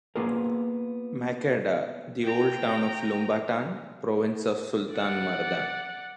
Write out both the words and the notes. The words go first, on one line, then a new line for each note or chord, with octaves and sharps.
Macadar, the old town of Lumbatan, Province of Sultan Mardan.
A#3 B3 F4 G#4 A#4
G5 A#5
D5 F#5